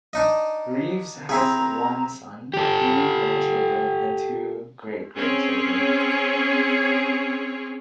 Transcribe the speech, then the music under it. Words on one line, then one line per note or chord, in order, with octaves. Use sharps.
Reeves has one son, three grandchildren and two great-grandchildren.
D4 D#4 D#5
C4 E4 G#4 A#5
G4 A4
C4 C#4 G#4 C#5